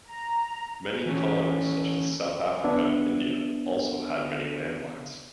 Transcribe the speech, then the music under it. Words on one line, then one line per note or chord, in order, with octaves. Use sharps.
Many colonies such as South Africa and India also had many land lines.
A#5
E3 C#4
B3 D4 E5